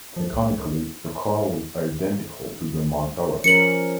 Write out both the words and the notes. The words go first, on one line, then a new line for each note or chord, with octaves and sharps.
Mechanically the car was identical to the Mantara.
F3
C2
F3 C#4 A#4 C#7 F#7